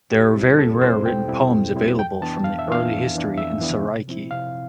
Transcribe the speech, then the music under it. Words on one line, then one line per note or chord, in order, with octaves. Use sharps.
There are very rare written poems available from the early history in Saraiki.
E2 G4
B2 G3 C4 E4
E2 A4
B2 G3 C4 E4 C5
E2 G5
B2 G3 C4 E4
E2
B2 G3 C4 E4
F2 G5
E3 B3 D4 A5
F2 F5
E5
E3 B3 D4 F5
F2
E3 B3 D4
F2 E5
E3 B3 D4
C3
F3 C4 E4
C3 F5